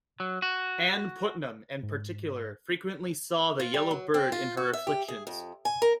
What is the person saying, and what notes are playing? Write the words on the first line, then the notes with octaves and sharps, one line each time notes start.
Ann Putnam in particular frequently saw the yellow bird in her afflictions.
F#3
F#4
G#2
F4
G3
F#3
C4
F4
F#4
E5
G4
G#4
F2
G#5
A#4